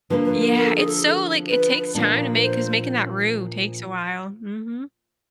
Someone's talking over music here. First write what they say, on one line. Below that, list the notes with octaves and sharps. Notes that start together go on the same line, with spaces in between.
Yeah, it's so, like it takes time to make 'cause making that roux takes a while, mhm.
D3 F3 A#3 B4
B4
A#4
A#4
A4
G#4
A4
B4
A#2 F3 A#3 D4
B4
C5